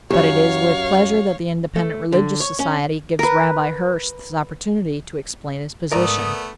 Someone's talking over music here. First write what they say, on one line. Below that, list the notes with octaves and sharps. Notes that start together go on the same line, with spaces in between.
But it is with pleasure that the Independent Religious Society gives Rabbi Hirsch this opportunity to explain his position.
F#2 G4 C#5 F5
A3
D3
C#5
C#4
A#4 B4
G#2 A3 B3 A#4 D5 A#5 D6 D#6